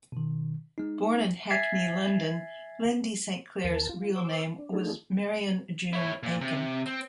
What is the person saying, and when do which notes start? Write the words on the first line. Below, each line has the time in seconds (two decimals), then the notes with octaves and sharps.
Born in Hackney, London, Lindi Saint Clair's real name was Marian June Akin.
0.12 B2 D#3
0.78 G#3 D#4
1.50 E5 G#5 G#6 A6 B6 C7
3.64 D#2 A#4 A5
3.89 F4
4.16 C5 D6 E6
4.58 D4
4.73 A3 D4 D#4 F4 G#4 A4
5.93 E4 C#5
6.23 A#2
6.41 C3
6.86 C4